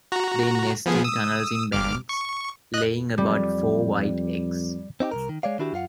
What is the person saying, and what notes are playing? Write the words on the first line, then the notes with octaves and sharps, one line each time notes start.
They nest in tunnels in banks, laying about four white eggs.
F#4 A#5
F3 B3 G#4
D#6 E6
G1 D6 F6
C#6
D#5 F#6
F2 G3
C4 D#4 F#4 G4
C2 G#2 A#4
D#3
G#3 C#5 D5 F5
D#3 D4 E4 F#4 G4
F#2 F4 F5 F#5